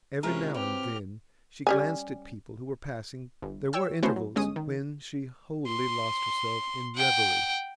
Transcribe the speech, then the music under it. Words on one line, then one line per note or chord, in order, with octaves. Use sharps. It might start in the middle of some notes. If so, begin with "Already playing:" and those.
Every now and then she glanced at people who were passing; there were intervals when she wholly lost herself in reverie.
C3 G#3 C#4 E4 F4 A#4 A#5 F6
F#3 C4 G4 B4 F6
G3 C#4 G#5
G1
C#5 G5 E6
A3 B3 C#4 E4 F#4 C5
F#2
G1 G#3 C#4 D#6
D#3
C6
F#5 G5